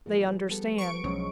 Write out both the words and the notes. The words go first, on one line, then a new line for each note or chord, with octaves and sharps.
They understand.
A#2 E3 F3 G#4
G3 B3 A4
C#6 D7
B1 F3 F#3 G#3 C#4